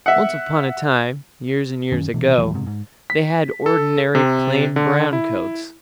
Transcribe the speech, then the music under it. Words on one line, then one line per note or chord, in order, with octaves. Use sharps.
Once upon a time, years and years ago, they had ordinary plain brown coats.
E5 F#5
F#2 D#3 C#4
B2 E3
D#2 E3 F#3 G#3
F#1 G#2 C3
G#2
B6
A4
C3
D3
E4